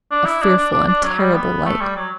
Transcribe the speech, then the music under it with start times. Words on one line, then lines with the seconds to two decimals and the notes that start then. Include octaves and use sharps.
A fearful and terrible light!
0.11 D4
0.26 E4
0.42 D4
0.57 D4
0.73 D4
0.87 D4
1.04 F#3
1.19 G3
1.34 B3
1.65 A3
1.81 G3
1.96 F#3